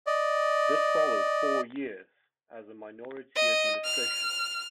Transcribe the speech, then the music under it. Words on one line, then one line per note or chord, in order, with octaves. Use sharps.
This followed four years as a minority administration.
D5 D#5
D#5
F6